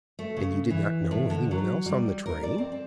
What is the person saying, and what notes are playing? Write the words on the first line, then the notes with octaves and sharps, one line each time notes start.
"And you did not know any one else on the train?"
A3
C#3
E3
A2
D3
F#3
G3
A#4
D5
C4
C4